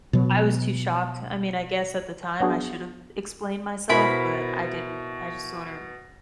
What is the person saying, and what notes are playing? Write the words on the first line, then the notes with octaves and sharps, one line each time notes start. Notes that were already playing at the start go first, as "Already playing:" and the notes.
I was too shocked. I mean, I guess at the time, I should have explained myself, but I didn't. I just sort of,
B2 F#3
F#3 B3 D4 F#4 G#4
B2 E4 A#4 C5 B5